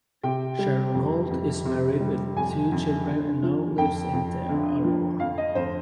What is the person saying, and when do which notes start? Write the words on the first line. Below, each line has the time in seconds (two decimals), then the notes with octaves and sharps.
Sharon Holt is married with two children and now lives in Te Aroha.
0.23 C3 G5
0.59 G3
0.94 F2
1.30 F2
1.65 C3
2.00 G3
2.36 F2 G#5
2.72 F2
3.07 D3
3.43 F3
3.78 F2 G5
4.13 F2
4.49 D3
4.84 F3
5.20 F2 F5
5.38 D#5
5.55 F2 C5